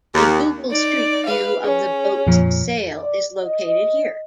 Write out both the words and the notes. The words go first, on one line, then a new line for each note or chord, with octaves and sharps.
A Google Street View of the boat's sail is located here.
D#2
D#4 D5
B4 F5
C#4 G#4
F2 A#2 F3
D5
D#5